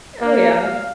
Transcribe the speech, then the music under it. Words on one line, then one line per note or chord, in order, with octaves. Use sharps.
Oh, yeah,
A#3
F5